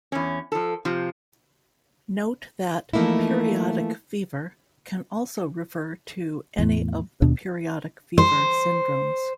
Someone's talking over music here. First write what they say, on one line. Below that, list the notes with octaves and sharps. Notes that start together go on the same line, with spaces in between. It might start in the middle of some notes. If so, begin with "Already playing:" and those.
Note that "periodic fever" can also refer to any of the periodic fever syndromes.
E2 C#4
F3 A4
C3 F3
E3 F3 A3 A#3 D#4 E4
E2 A2
D#2 B2 D4
C5